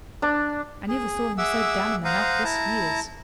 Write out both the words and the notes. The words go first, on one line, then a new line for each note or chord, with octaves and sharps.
I never saw him so down in the mouth this years.'
D4
G#4
G#4 E5 F#5 D6 E6
C5 F5 F#5 A#5 D#6
E4 A5 A#5